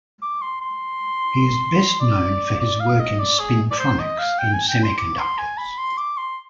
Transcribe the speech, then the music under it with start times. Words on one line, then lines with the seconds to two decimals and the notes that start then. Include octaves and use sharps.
He is best known for his work in spintronics in semiconductors.
0.22 D6
0.42 C6
0.62 C6
2.00 D5
2.60 D5
2.80 F5
3.00 D#5
3.19 D5
3.39 G#4
3.71 D5
3.79 C5
3.99 D#5
4.19 F5
4.39 G5
4.53 G#5
4.69 G5
4.84 C6
4.98 D6
5.18 C6
5.38 G#5
5.58 B5
5.78 C6
5.97 D6
6.17 C6